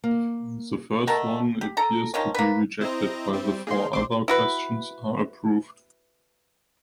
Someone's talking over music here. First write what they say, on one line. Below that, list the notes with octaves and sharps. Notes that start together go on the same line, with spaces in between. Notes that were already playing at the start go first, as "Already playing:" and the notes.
The first one appears to be rejected while the four other questions are approved.
A#3
B2 A3 A#4 A5
G4
A4 A#5
D#3 F3 C#4
A#3 B4
C4 E4 C5 D#5 A#5
G3 C4
A#3 D#4 G#4 C6
A#1 C4 C6 D6
E4 F#4 B4